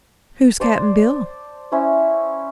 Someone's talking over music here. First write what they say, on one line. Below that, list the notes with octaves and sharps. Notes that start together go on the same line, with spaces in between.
"Who's Cap'n Bill?"
C5 D5 A5 C6
C#4 E4 C5 C#5